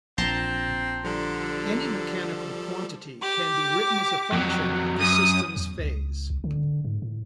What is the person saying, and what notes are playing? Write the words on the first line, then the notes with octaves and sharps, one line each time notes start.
Any mechanical quantity can be written as a function of the system's phase.
A#1 A#2 C4 A5 A#5 C6
D3 F3 G3 A4
G4 D6
F2 F#3
F#2 D#6 D#7
E2
C#2
C2
D3
G#2
A2